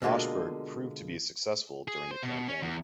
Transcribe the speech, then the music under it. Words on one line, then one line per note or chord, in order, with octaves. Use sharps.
Ascheberg proved to be successful during the campaign.
B2 D3 G#3 A#3 F4
G#4
C5
B2
C#4
E2